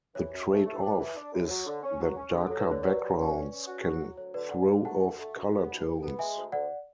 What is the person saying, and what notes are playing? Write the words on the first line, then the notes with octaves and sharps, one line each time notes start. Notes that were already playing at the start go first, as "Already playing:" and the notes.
The trade-off is that darker backgrounds can throw off color tones.
E3 C#5
F#2
A3
A3
D4
E3
D4
F#2
F#3 C#5
D3
C#4
F#3
C#4
D3 G#4
F#3 A4
B4
D3 C#5
F#3 B4 D5
F#3
C#4
C#4
C#4
F#4
F#3
F#3
D2 C#5
D3 B4 D5
D2 D5 F#5
D3
A3 F#5 A5
D2
A3
D2
B3
D2
D2
B3
G#3 E5 G#5
D2
D2 D5 F#5